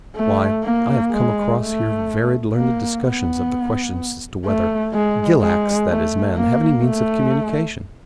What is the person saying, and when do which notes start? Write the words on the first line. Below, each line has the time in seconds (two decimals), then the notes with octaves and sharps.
Why, I have come across here very learned discussions of the question as to whether gilaks, that is men, have any means of communication.
0.16 A3
0.64 A#3
1.11 G#3
1.60 A3
2.55 A#3
3.02 B3
4.46 A3
4.93 G#3
5.42 G#3
5.89 A3
6.37 A#3
6.85 A3